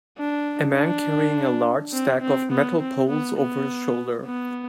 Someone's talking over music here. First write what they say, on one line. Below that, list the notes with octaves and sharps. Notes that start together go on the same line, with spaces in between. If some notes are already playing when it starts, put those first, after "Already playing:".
A man carrying a large stack of metal poles over his shoulder.
D4
D4
C4
C4
B3
C4
B3
B3
B3